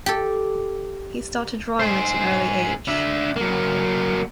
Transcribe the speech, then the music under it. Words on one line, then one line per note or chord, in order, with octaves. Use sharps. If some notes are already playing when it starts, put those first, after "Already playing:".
He started drawing at an early age.
G4 A4
G#4 C5
D4 E5
F#3 A#3